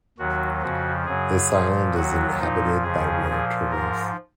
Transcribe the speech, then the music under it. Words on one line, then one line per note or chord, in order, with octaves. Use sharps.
This island is inhabited by rare turtles.
D#2 D#3 F#3 F#4
F2 C#3 F3 F#4
F#2 C#3 F#3 G#4
A#2 F3
D#2 D#3 F#3 F#4
A#2 F3 D#4
F2 C#3 F3 G#4
A#2 F3
G#2 F3 A#4